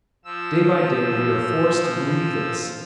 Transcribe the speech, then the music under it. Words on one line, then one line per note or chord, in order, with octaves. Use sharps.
Day by day we are forced to believe this.
F3 E6